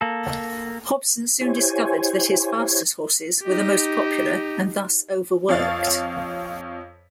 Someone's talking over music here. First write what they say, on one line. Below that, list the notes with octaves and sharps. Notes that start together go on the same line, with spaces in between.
Hobson soon discovered that his fastest horses were the most popular, and thus overworked.
A#3 A4
E4 G4 C5 C#5 G#5
D#4 G4
F2 C#5 F5 A6